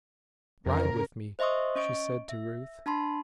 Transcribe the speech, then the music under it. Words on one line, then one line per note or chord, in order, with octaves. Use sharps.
"Ride with me," she said to Ruth.
F2 C#3 A#4
C5 D#5 E5 C6 C#6 D#6
C#4 D#5 C#6 D7
E5
D4 A5 B5 C6